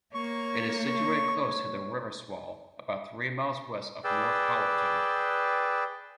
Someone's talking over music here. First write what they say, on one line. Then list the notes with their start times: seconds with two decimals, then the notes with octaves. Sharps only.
It is situated close to the River Swale, about three miles west of Northallerton.
0.14 A#3 C#5 C#6
4.04 G#4 B4 D5 G5 E6